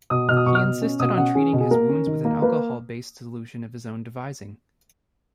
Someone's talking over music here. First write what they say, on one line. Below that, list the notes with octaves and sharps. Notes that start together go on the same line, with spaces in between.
He insisted on treating his wounds with an alcohol-based solution of his own devising.
B2 D#6
B2 F6
D#6
B2 C#6
F6
B2
C#4
B2 D#6
C#4 F#5
C#4 G#4
B2
G#4
A#3 A#4
C#4
D#3
A#3
A#3 B4